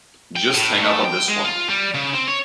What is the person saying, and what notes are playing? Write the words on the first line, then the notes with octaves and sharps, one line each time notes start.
Just hang up on this one.
G5
A2
A3
G5
G#3
F4
G3
C#3
C4
C#5